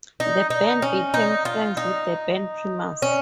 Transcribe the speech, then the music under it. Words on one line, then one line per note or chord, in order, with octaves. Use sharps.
The band became friends with the band Primus.
D#4
D#4
C#4
D#4
F4
D#4
C#4